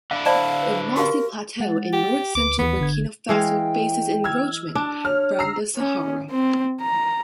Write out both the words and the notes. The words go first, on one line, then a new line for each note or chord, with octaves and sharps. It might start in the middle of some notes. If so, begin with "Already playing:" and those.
The Mossi Plateau in north central Burkina Faso faces encroachment from the Sahara.
D3 D4 E4 F5
C5 D5 F5 A5 B5
B4
F#4 G4 A#4 F5
G#3 F#5 A6
G4
D2 B4 D6
D#2 E3 B3
G#1 D3 G#6
E3 G#3 F5 G5
E6 F6 G#6
D4 A5
C#5 F6
A#5 E6 C7
C#4
C4
A#5